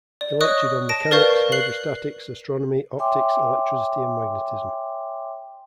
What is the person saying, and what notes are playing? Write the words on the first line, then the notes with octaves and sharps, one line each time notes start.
He lectured on mechanics, hydrostatics, astronomy, optics, electricity and magnetism.
D5
C#5 D#5 C#6 D#6 F#6
A5 A#6 D7
A#4 B4 D5 F5 C#6 G6
F#6 C7 F#7
C#5 E5 G5 G#5 C6 D6